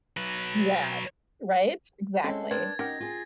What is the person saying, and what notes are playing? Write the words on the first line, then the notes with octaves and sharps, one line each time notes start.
yeah, right? Exactly.
F#3 B4
G#3 C4 C#4 E4 A4 C#5
C4 D4 A#4 B4 G#6 A6
C#4 D#4 G4 A#4 F#5 A#6
F4 G#4